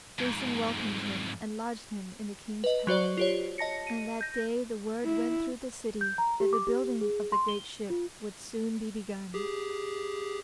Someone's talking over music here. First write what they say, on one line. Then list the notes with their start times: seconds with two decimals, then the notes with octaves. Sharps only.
Jason welcomed him and lodged him in the king's palace, and that day the word went through the city that the building of the great ship would soon be begun.
0.19 F2 G#2
2.64 B4 D#5
2.87 F#3 F#4 C5 D5
3.17 F4 G4 C#5
3.58 D#5 A5 A#6 C#7
3.87 D#7
4.21 G6 A#6
5.05 E4
6.01 G6
6.18 A#5
6.40 G4
6.53 D6
6.67 G4
7.01 G#4
7.32 C6
7.48 G7
7.90 F4
9.34 G4 G#4